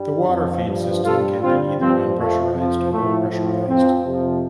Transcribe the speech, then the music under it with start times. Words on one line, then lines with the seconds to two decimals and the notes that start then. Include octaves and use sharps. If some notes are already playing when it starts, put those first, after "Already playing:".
The water feed system can be either unpressurized or pressurized.
Already playing: G2 G3
0.27 F2 F3
0.66 G2 F3
1.03 G2 G3 F4 A4
1.40 G2 D3 G3 C4 F4
1.79 G2 F3 C4
2.16 F2 F3 A3
2.54 F2 F3
2.92 A2 F3 A3
3.29 A2 F3
3.67 F2 F3 C4
4.04 F2 C3 F3